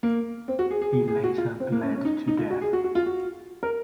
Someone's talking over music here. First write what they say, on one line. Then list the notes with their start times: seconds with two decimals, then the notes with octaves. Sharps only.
He later bled to death.
0.03 A#3
0.48 C4
0.59 F#4
0.71 G#4
0.82 G#4
0.93 G#4
1.08 G#4
1.24 F#4
1.38 F4
1.60 C4
1.72 A#3
1.83 C#4
1.95 C#4
2.05 D#4
2.28 D#4
2.38 F4
2.50 F#4
2.61 G#4
2.73 F#4
2.84 F#4
2.95 F4
3.06 F#4
3.63 A#4